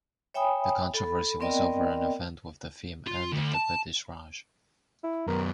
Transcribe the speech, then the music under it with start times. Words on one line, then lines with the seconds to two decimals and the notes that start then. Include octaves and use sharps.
The controversy was over an event with the theme "End of the British Raj".
0.34 C#5 E5 G5 G#5 B5 D#6
0.94 A4 B5
1.40 B3 C4 A#4 D5 D#5 G5
3.07 F4
3.33 D2
3.54 A5
5.04 E4
5.27 F#2 B3 A#4